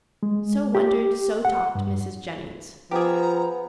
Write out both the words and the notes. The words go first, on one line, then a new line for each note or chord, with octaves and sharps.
So wondered, so talked Mrs. Jennings.
G#3
G4
F#5
G2
F3 B3 G4 G#4 A#5